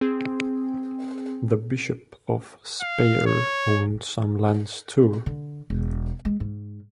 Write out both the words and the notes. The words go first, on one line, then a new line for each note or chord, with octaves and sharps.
The bishops of Speyer owned some lands, too.
C4 G#4
F5
C#5
D3
E1
G#3
G#2